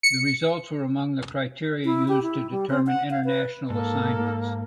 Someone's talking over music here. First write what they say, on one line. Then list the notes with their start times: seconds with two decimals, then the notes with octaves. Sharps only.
The results were among the criteria used to determine international assignments.
0.03 C#7
1.85 E4
2.08 G4
2.22 E4
2.51 G3
2.69 C4
2.87 F#5
3.10 F5
3.25 B4
3.70 G#2 A#3 A4